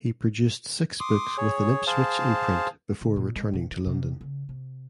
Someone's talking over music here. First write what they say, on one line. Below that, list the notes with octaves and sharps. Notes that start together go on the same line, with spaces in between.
He produced six books with an Ipswich imprint before returning to London.
C6 D6 D#6
G#4 C#5
G#4 C5 F5 A5
C#3
A#2
G#3
B2
E3
C3
C#3
C3